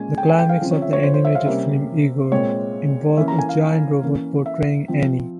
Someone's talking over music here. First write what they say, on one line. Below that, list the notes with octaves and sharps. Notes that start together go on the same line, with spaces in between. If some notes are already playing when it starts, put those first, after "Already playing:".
The climax of the animated film "Igor" involved a giant robot portraying Annie.
Already playing: A#2 G#3 C#4 G#5
G5
G#5
G5
F5
C#3 F3 C4
C#5
E5
C#5
C5
C5
E5
F5
C3 G3 A#3 C#4 E5
A#2 G#3 C4 C#5
E3 A#3 C#4 E5
A#5
G#5
F5
E3 A#3 C#4
E5
F3 C4